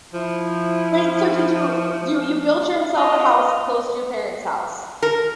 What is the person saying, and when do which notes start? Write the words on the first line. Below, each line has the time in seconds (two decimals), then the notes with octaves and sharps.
Wait, so, did you do you you built yourself a house close to your parents' house?
0.13 F3 E4
2.94 F4 D#5
5.02 A#4